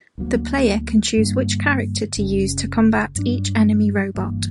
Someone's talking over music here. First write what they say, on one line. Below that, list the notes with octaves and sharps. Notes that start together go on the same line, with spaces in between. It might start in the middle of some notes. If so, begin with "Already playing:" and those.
The player can choose which character to use to combat each enemy robot.
D2 D3 F#3 A#3
G2 D3 A#3
F#1 F#2 C#3
G2 F#3 B3 D4
G1 G2 E3 A#3